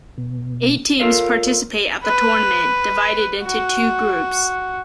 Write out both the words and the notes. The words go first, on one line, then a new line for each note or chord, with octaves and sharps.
Eight teams participate at the tournament, divided into two groups.
B2
F4 A4 A#4 C#5 E5 F5
B4
F#4